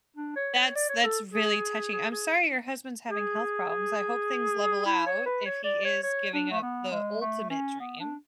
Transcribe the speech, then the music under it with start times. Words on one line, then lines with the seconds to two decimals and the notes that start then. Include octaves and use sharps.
That's that's really touching. I'm sorry your husband's having health problems, I hope things level out if he is giving up the ultimate dream,
0.16 D4
0.36 C#5
0.55 C#5
0.75 D5
0.89 C#5
1.04 A4
1.34 G#4
1.93 G#4
2.12 G#4
3.10 G#4
3.69 G#4
4.86 E4
5.06 C#5
5.26 B4
5.46 C#5
5.64 D5
5.85 C#5
6.03 C#5
6.33 D4
6.51 A3
6.62 B3
6.92 G#3
7.21 A3
7.50 C#4
7.80 B3
8.00 D4